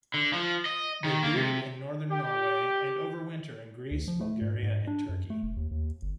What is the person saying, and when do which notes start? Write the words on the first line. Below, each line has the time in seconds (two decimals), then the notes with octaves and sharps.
They breed in Northern Norway and overwinter in Greece, Bulgaria and Turkey.
0.14 D3
0.33 F3
0.66 D#5
1.04 D#3
1.23 A#3
1.36 C3
2.11 G4
3.91 D2
4.08 F3
4.21 A3
4.42 G#2
4.63 G#2
4.87 D4
5.09 F#2
5.30 A3
5.43 E1
5.57 D#2
5.71 D#2
6.02 G1